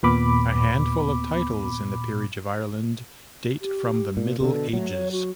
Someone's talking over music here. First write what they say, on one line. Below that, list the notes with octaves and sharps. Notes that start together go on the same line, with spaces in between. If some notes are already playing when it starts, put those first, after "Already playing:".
A handful of titles in the peerage of Ireland date from the Middle Ages.
D#2 A#2 B3 B5 D6
G4
A#2
B2 D3 A4
F#3 A3
C#5
F#4